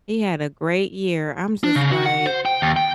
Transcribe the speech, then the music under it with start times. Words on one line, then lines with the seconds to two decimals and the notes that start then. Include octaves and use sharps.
He had a great year. I’m just like,
1.64 D4
1.76 C#3
1.91 F#4
2.06 F#5
2.26 C5
2.45 G5
2.62 D#2
2.76 G5